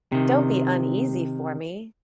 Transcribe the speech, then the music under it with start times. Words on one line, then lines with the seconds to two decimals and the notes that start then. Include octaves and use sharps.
Don't be uneasy for me!
0.12 C3 D#3